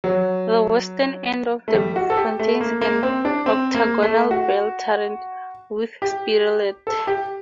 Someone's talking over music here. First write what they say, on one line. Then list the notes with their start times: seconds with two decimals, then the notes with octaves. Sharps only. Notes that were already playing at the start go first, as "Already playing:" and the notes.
The western end of the roof contains an octagonal bell turret with spirelet.
0.04 F#3
1.68 A3
1.74 G3
1.96 F#4
2.10 A4
2.17 G4
2.39 A3
2.61 A#3
2.81 A#3
3.03 C4
3.25 D4
3.46 C4
3.75 A#3
4.02 A3
4.31 F#4
6.02 G4
6.87 A4
7.07 G4